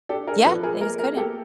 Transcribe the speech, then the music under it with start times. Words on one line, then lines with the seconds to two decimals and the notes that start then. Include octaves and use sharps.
Yeah. They just couldn't.
0.09 D4 G4 A4
0.27 G#4 A#4
0.45 F3 A4 B4
0.63 G#4 A#4
0.81 A#3 G#4 A#4
0.99 G#4 A#4
1.17 A#3 G4 A4